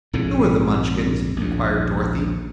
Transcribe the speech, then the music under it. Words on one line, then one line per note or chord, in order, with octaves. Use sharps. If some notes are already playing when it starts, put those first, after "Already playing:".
"Who are the Munchkins?" inquired Dorothy.
A#1 F2 G#2 C#3
A#1 D#2